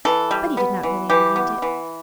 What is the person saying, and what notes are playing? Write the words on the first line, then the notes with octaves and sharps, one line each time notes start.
But he did not really mind it.
E3 A4
G3
B3
E3
E3 G4
B3
E3